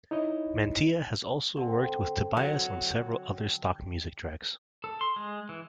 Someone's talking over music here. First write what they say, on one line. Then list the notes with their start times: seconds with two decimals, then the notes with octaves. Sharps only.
Mantia has also worked with Tobias on several other stock music tracks.
0.11 D#4 E4 C#5 D#5
1.57 D3 C4
2.37 F#3
4.84 A4
5.01 C6
5.16 G#3
5.49 E3